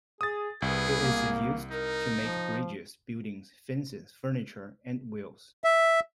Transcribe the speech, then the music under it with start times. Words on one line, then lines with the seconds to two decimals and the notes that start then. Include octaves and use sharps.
It is used to make bridges, buildings, fences, furniture and wheels.
0.21 G#4 D#6 A6
0.62 C2 G#4 B4
1.01 A#3
1.71 D#4 A#4
2.21 F3
5.64 E5